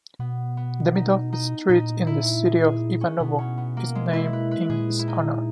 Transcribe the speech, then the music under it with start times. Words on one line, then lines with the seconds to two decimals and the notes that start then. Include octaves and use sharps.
Demidov Street in the city of Ivanovo is named in his honor.
0.19 B2 B3
0.57 B3
0.95 D#4
1.33 D#4
1.69 A#2 D#4
2.07 E4
2.45 G#4
2.64 G#4
3.01 C#4
3.20 B2 B3
3.39 C#4
3.58 B3
3.77 A#3
3.95 G#3
4.13 E4
4.33 B4
4.51 B4
4.69 A#2 G#4
4.99 E4
5.08 D#4